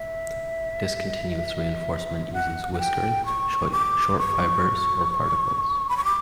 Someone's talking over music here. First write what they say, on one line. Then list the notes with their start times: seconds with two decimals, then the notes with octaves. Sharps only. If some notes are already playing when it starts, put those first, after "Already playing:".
Discontinuous reinforcement uses "whiskers", short fibers, or particles.
Already playing: E5
2.33 F#5
2.74 F#5
2.79 G5
3.26 C#6
3.72 D6
4.19 C#6
5.89 B5
5.97 C#6
6.04 D6